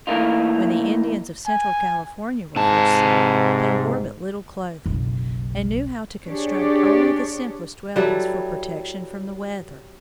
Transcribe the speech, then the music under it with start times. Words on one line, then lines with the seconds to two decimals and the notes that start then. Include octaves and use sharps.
When the Indians of central California were first seen, they wore but little clothing, and knew how to construct only the simplest dwellings for protection from the weather.
0.07 A2 E3 A3 A#3 D#4 F4
1.47 G#5
2.56 G#2 C3 A5
4.86 F#1 B1
6.28 D4 G4 G#4 C#5 D5
7.96 F#3 G3 E4 A4